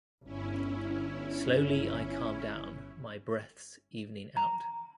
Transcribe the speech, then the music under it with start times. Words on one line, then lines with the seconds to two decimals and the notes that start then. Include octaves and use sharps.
Slowly, I calm down, my breathes evening out.
0.24 G1 C#4 E4
4.37 A#5